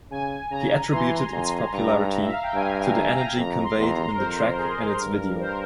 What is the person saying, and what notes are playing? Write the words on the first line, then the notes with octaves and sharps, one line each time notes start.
He attributed its popularity to the energy conveyed in the track and its video.
C#3 G#5
C#3 A#5
E3 C6
F2
G2 A#5
E5
F5
G5
G2 G#5
G#5
A#5
A#5
F2 A#5
C6
E2
A#5
A#4
F2 C5
G#4
G2 A#4
C5
A#4